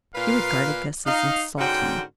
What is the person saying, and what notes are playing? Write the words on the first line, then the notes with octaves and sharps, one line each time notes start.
He regarded this as insulting.
A#2 B4 F5
D#4 F5
G#2 D3 C#4 F#4 G5